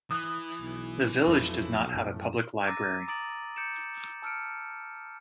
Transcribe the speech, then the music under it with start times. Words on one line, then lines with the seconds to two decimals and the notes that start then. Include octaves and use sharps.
The village does not have a public library.
0.11 E3 D#6 F#6
0.60 B1
1.28 F2 B2 F3 A3
1.95 F#2 A2
2.67 A#5 D6 E6 A6 A#6 D#7
3.08 A#5 D6 D#6 A6 D7 F#7
3.56 D6 G6 C#7 D7 E7
4.23 A5 E6 F6 C#7 D7